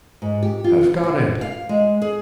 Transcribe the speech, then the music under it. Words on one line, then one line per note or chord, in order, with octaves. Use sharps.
I've got it!
G#2
G4
F4
F#4
F5
G#3
G#4